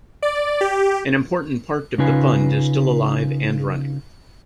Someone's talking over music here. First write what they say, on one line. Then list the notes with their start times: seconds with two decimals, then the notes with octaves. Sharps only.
An important part of the fund is still alive and running.
0.22 D5
0.61 G4
1.98 C#3 C#4 D#4 F4 B4 G#5